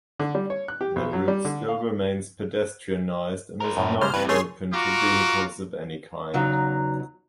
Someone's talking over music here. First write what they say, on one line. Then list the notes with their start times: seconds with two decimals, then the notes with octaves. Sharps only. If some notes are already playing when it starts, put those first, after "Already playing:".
The route still remains pedestrianized and is not open to vehicles of any kind.
0.20 D3
0.35 G3
0.50 C#5
0.68 F#6
0.81 G4
0.96 B1
1.13 F#3
1.28 G3
1.45 D3
1.68 F5
3.60 A#4 C5
3.77 F#2 A2
4.02 C#3 G3 G#3 C5 F6
4.14 G2 C3 E3 B4
4.29 A3 G#4 C#5 C6
4.73 F4 F#4 A#5 D6
6.34 E2 C#3 F#3 D#4 A#5